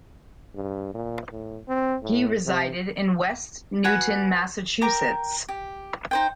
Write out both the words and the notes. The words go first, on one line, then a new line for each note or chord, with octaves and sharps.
He resided in West Newton, Massachusetts.
G2
A#2
A2
C4
A2
C3
F#4 B4 F#5 G#5
A#4 G5 A#5 D6
G4
D#4 C5 G5